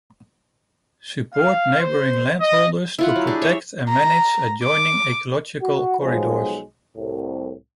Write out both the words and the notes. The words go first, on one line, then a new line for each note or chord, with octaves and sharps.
Support neighbouring landholders to protect and manage adjoining ecological corridors.
F5
C5
D#5
E4 F4 F#5
F#3
D4 G4 G#4
C#5 E5
A#5
D6
F#4
B1 F3 F#3 G#3
C2 A2